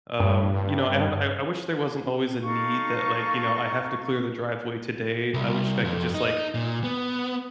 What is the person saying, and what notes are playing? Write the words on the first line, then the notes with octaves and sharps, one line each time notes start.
um, you know, I I I wish there wasn't always a need that, like, you know, I have to clear the driveway today. I wish I could just like,
G2
D#4 A4 F5 C#6
C2
F2
D#4
A#2
B3